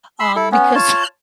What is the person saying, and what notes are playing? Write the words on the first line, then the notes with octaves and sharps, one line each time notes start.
um, because,
B5 C6 E6
E4 A4
B3 C#4
F4 C#5 A5